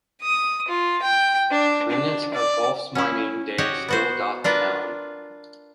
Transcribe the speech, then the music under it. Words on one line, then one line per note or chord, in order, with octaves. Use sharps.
Remnants of Goffs's mining days still dot the town.
D#6
F4
G5
D4
D4
D5
C#4 E4
F#4 G4 C#5 D#5 F#5
B3 F#4 C5
D4 F4 A#4 B4